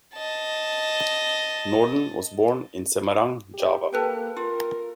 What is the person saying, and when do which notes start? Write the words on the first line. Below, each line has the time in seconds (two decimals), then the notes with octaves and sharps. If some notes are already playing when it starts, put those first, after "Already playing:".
Norden was born in Semarang, Java.
0.15 D#5 A5
3.54 G4
3.93 A#3 A4 B4 G5
4.36 F4 A#4